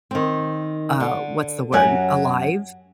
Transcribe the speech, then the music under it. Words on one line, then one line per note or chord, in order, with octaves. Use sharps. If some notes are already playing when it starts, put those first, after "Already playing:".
uh, what's the word? Alive,
D#3 C4
D3
F#2 F#3 G4 F#5 G#5